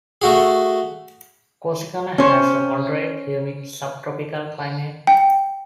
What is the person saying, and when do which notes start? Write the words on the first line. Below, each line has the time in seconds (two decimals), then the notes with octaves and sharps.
Corsicana has a moderate humid subtropical climate.
0.22 A3 F#4 G#4
2.18 C#4 C5
5.07 G5